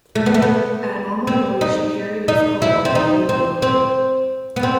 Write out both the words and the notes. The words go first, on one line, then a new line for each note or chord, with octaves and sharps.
At normal load she carried of coal and at deep load.
A3
B3
A3
B3
C4
D#4
D#4
E4
C4
D#4
C4
C4
B3
C4